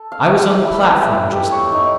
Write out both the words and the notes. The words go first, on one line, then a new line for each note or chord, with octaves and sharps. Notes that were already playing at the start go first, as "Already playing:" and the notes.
I was on the platform just then.
Already playing: A4
F5
G4
E4
B4
E4
E4
G4
C#5
D#4